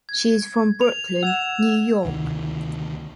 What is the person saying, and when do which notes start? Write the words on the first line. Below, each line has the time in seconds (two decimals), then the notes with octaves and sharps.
She is from Brooklyn, New York.
0.09 G#6
0.81 F7
1.23 F#5 E6 G#6 E7
2.05 D2 C3 D#3